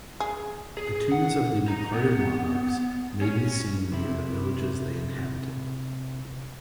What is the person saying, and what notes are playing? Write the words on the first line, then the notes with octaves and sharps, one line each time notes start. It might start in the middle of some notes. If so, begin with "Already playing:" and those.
The tombs of the departed monarchs may be seen near the villages they inhabited.
G#4
G#4
F#5
D#4
B3
C#4
C3 E4